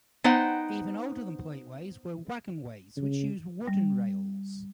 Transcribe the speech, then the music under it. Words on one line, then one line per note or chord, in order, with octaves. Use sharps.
Even older than plateways were wagonways which used wooden rails.
B3 D#4 C5 F#5 G5
C#3
G3